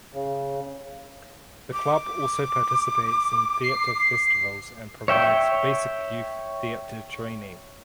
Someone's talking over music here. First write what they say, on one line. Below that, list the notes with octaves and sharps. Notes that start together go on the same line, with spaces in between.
The club also participates in theatre festivals and provides basic youth theatre training.
C#3
D6
C7
C#5 E5 G5